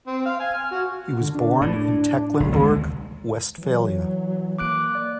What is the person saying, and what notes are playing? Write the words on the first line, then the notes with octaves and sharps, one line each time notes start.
He was born in Tecklenburg, Westphalia.
C4
F5
G#5
F6
F#4
D3
D4
A2
B1
D#2 D3 F3 G#3
E3 F#3
A#3 D6 F#6 D7
D5